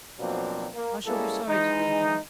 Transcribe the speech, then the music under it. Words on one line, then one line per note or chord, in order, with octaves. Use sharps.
I shall be sorry to leave you.
B2 F3 F#3 A#3 C4 D4
A#3
G3 G#3 A#3 C#4 E4 A4
E3 G#3 D#4